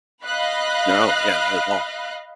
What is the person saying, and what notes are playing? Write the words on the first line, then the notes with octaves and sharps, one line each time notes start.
No, yeah, not at all.
D#5 F5 B5 F#6